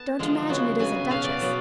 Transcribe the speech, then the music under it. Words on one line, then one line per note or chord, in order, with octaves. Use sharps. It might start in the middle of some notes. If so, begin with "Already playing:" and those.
Don't imagine it is a duchess.
Already playing: B3 A5
D3 F3 G#3
C#3 F#3 B3
C#3 F#3 B3 G#5
B2 F#3 B3 F5
D5
B2 F#3 B3